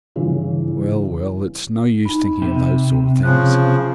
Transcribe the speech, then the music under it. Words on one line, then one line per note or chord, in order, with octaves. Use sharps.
Well, well, it's no use thinking of those sort of things.
G2 C#3 E3 F3 E4
D#4 B5
C3
C#3 F3 F#6